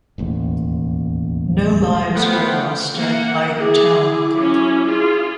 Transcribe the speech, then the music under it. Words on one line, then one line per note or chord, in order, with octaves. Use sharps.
No lives were lost at either town.
E1 A1 D#2
F3 A3 B3 F4 F#5 G5
A#3 F#5
E4 G#4 D6
F#3 C#4
F4 G#4